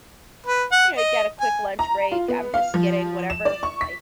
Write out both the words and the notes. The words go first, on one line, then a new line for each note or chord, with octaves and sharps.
you know, you got a quick lunch break, I'm just getting whatever, like,
B4
F#5
D#5
G#5
A#5
F4
B3
F5
F3
E7
D5
C#6
B6